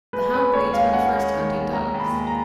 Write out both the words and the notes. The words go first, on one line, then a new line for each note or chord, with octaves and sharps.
The hound breeds were the first hunting dogs.
G#3 B4
C#4 B4
D#2 C#5
G#3 F5
C#4 F#5
G#3
D#3
D#2
G#3 A#5
D#2
B5
G#3
A#5